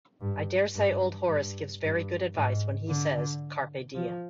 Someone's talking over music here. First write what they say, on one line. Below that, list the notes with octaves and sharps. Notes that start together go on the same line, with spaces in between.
I daresay old Horace gives very good advice when he says, carpe diem.
G2
G2
G2
G2
G#2
D3
F3